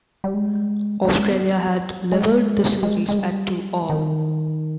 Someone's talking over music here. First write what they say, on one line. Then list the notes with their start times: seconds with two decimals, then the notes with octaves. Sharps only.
Australia had levelled the series at two-all.
0.24 G3
0.34 G#3
1.05 G3
1.17 G#3
1.29 B3
2.12 G#3
2.83 G#3
3.09 G#3
3.18 G3
3.90 D#3